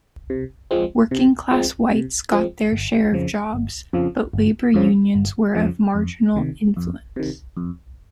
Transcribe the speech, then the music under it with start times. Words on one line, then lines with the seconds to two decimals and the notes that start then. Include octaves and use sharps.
Working-class whites got their share of jobs, but labor unions were of marginal influence.
0.30 C3
0.71 F3 G#3 C4
1.11 C3
1.51 F3 G#3 C4
1.92 C3
2.32 F3 G#3 C4
2.72 G1
3.12 F2 C#3 F3
3.53 G1
3.93 F2 C#3 F3
4.33 G1
4.74 F2 C#3 F3
5.15 G1
5.55 F2 C#3 F3
5.95 F2
6.36 C3 D#3
6.77 F2
7.16 C3 D#3
7.57 F2